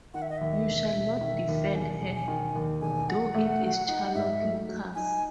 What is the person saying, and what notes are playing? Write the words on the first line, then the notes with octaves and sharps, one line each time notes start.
You shall not defend her, though it is Charlotte Lucas.
D#3 F#5
E5
D#5
D#2 E5
E1
E1
D#3
D#2
E1 G#5
E1
G#5
D#3
D#2
E1 G#5
E1 F#5
A3
F#3
D#4
G#2 E5
A3
F#3
D#4 G#5